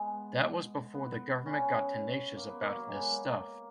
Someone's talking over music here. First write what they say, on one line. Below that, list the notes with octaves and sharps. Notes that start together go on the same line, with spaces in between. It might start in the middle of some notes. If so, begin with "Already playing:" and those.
That was before the government got tenacious about this stuff.
Already playing: G#3 B3
B3
B3
C#4
A#3
B3
A#3
F#3
G#3
B3
A#3